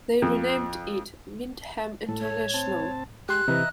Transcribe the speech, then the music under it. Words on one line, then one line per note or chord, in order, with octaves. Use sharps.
They renamed it Wyndham International.
F2
A2 A4
C#5
C4 A5
G#3 G4 C6 F#6
C3 E3 B4 D#5 E5 A#5